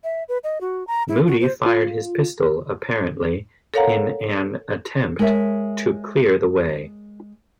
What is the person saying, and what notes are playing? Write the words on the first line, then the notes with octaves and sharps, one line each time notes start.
Moodie fired his pistol, apparently in an attempt to clear the way.
E5
B4
D#5
F#4
A#5
E4
F#4
C5
F4
A4 A#4 C#5 F5 F#5 A#5
G#3 A#4 C#5 E5